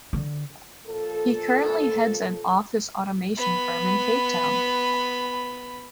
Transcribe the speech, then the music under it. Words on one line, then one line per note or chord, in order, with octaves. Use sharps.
He currently heads an office automation firm in Cape Town.
D3
A#2 F3 A4
B3 B5